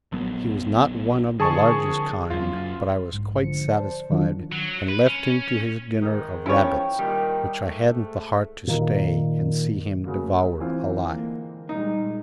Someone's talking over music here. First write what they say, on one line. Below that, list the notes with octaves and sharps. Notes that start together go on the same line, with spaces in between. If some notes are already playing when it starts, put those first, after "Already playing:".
He was not one of the largest kind, but I was quite satisfied, and left him to his dinner of rabbits, which I hadn't the heart to stay and see him devour alive.
A#1 F#3 B3
D3 F3 G#4 A5 C#6
F#1 F#2 F4
A#1 G#2
D3 F3 C#7
C5 D5 A5
D#3 F#3 D4 F4
F#3
B4
C#4
G#2 D#3
F3 C#4 E4 C#5 G5
A#2 D#3 G3
G#2 A3
A#2 D#3
C#3 F#3 A3 A#3
E3 C4 F4
D3 G#3 A#3
A#2 G3 G#3 D#4